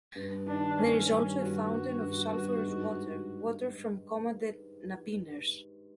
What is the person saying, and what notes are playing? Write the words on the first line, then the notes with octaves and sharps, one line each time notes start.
There is also a fountain of sulfurous water, water from Coma de Nabiners.
G2
D#3 D4
G2 C#4
G3
G2 F#4
G2
G2
G2
G#2